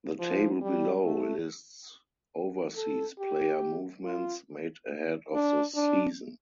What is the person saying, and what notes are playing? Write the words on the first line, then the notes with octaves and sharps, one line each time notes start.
The table below lists overseas player movements made ahead of the season.
F3
G3
A3
A4
G4
F4
D4
D4